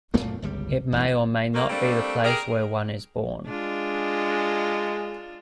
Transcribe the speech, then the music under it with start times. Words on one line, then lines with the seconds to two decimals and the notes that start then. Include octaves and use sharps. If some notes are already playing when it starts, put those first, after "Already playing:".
It may or may not be the place where one is born.
0.14 F#2 A#2 A3 A#3
0.42 G1 C#2 G3
0.92 E1 A1
1.54 A#2 A3 A#3
1.70 G3 A3 A#3 C4 D4
2.24 G4 G#4 A#4
3.47 G#3 D4 F4